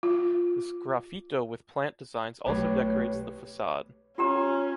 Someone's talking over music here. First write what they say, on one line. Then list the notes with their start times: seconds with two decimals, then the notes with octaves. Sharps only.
The sgraffito with plant designs also decorates the façade.
0.03 F4
2.46 B1 F#3 A3 G4 B4 C#5
4.18 C#4 F4 G4 A#5